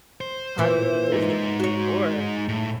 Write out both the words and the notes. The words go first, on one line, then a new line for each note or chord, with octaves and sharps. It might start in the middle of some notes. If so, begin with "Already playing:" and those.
possibly Disneyland or
C5
A#2 E3
G#3 D#4
F#4 C#5
A2